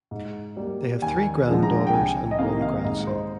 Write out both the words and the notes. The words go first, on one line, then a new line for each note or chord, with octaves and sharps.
They have three granddaughters, and one grandson.
G#2
G3 A#3
D#2 G#5
D3 F3 G#3
A#5
G5
C2 G#5
D#5
C3 D#3 A#3 F5
F5
G#2 D#5
C5